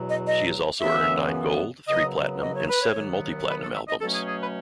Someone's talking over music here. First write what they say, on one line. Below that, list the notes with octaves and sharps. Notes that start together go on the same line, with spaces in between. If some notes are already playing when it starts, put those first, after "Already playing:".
She has also earned nine gold, three platinum, and seven multi-platinum albums.
Already playing: E2 B2 F#3
D#5
D#5
F#2 C#3 E3 B3 E5
F#2 C#3 F#3 B3 D#5
D#5
C#5
B4
C#5
D#2 D#3 F#3 B3
B4
A4
E5
D#5
B2 F#3 A3 C#4 A4
G#4
G#4
B4